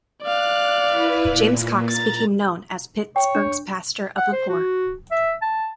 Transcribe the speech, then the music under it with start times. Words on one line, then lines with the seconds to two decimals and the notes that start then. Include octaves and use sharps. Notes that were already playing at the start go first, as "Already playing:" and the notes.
James Cox became known as Pittsburgh's "Pastor of the Poor".
0.23 D5 F5 F#6
0.86 E4 B4
1.29 A#2
1.90 A#5 A6
3.16 C#5 G5
3.35 D4
4.17 F#5
4.33 C5
4.49 F#4
5.11 E5
5.42 A5